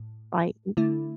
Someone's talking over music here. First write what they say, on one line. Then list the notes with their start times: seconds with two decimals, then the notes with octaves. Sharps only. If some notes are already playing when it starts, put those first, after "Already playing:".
like, m
Already playing: A2
0.77 D3 A3 E4